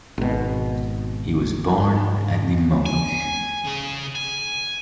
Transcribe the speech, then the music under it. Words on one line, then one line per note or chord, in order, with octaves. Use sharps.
He was born at Limoges.
G#1 B2
G#5
C#3 G#4
G#5